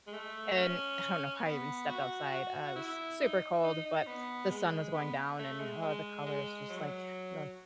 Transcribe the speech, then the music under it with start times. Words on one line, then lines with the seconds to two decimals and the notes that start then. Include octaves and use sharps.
and I don't know why I even stepped outside, I was s super cold, but the sun was going down, and, huh, the colors just like the
0.07 G#3
0.13 A3
0.57 C#4
1.44 B3
1.88 F#4
2.32 F#4
2.76 E4
3.20 D#4
3.63 D#4
3.85 D#4
4.07 B3
4.50 G#3
4.94 B3
5.38 A3
5.60 G#3
5.82 G#3
6.26 G#3
6.70 F#3